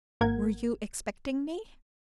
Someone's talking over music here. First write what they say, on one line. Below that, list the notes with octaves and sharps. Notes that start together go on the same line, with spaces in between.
"Were you expecting me?"
G#1 A#3 A#4 F#5 G#6